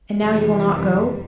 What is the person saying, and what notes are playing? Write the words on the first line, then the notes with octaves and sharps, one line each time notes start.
"And now you will not go?"
F2 C3 D#3 E3 G3